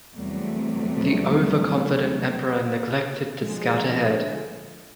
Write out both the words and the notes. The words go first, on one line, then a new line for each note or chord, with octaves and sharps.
The overconfident Emperor neglected to scout ahead.
E2 C3 F#3 G3 A3
D3 F3 G#3